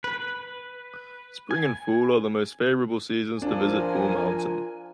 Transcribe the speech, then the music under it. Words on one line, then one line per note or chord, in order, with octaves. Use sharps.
Spring and fall are the most favorable seasons to visit Bull Mountain.
B4
G#5
F3 D4 A#4 G#5